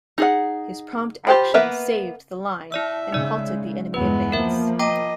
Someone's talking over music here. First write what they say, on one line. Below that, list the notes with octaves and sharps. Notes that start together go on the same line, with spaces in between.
His prompt action saved the line and halted the enemy advance.
D#4 G#4 F#5
F4 G4 C5 G5 B5
A#3 B3 A#4 B4 E5
E4 D5 E5 E6
C#3 G#3 D#4 D5
E2 G2 G#3 B3 B4
F3 A#3 A#4 E5
D#5 G5 A#5 D6